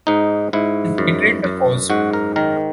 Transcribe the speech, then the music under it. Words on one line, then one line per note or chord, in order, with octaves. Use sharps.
He's betrayed the cause.
G#2 D#4
G#2 E4
F#2
F#2
G#2 F#4
A#4
D#3 A#4